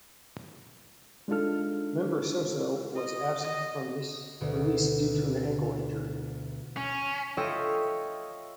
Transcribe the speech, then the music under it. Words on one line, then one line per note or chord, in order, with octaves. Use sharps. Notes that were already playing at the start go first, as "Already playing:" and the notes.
Member Soso was absent from this release due to an ankle injury.
G#3 D4 D#4 F4 A4 F6
D#5
D#5
D2 B2
C#4
F4 A4 C#5 D#5 E5 G5